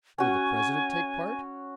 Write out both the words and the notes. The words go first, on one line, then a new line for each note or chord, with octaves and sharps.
Will the President take part?
C#4 F#4 G#5